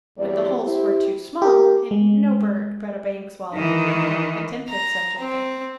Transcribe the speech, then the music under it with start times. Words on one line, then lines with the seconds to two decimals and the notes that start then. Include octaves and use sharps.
But the holes were too small, and no bird but a bank-swallow would have attempted such a thing.
0.17 E2 G2 F#3 G3 D5
0.63 E4 G4 C5
1.42 G4 A#4
1.91 G#3
3.53 D#3 E3
4.70 A#5
5.18 C4